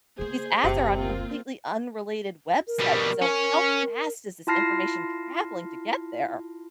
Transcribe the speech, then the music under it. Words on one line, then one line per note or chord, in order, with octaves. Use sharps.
these ads are on completely unrelated websites, so how fast is this information traveling to get there?
C#3 A#3 G#4 C5
F#1 D2 C3
A#3 C4 F4
A#4
B2 G3
C#4
E4 F4 A5 F6 A#6 C7